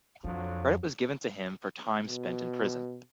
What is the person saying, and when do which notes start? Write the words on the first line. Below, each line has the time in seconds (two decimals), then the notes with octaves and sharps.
Credit was given to him for time spent in prison.
0.24 F2 D3 F3 F#3
2.05 B2